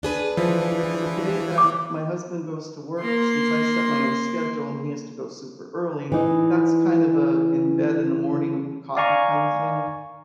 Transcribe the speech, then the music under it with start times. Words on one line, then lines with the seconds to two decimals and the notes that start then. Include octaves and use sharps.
if it's a day that my husband goes to work, since I set my own schedule and he has to go super early, that's kind of a in-bed, in-the-morning-with-the-coffee kinda thing,
0.03 D4 G#4 B4
0.37 E3 F3
1.58 D6
3.00 A#3 C6
6.12 E3 D#4
8.97 D5 F5 G#5 A#5 C#6